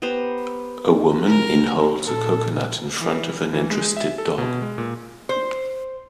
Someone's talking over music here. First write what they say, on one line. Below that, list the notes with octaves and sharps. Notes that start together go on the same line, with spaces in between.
A woman in holds a coconut in front of an interested dog.
B3 G4 C5 A#5
A#4
A#2 A4
E3
E3
G#3
E5
A4
B2
G#3
A#2
C5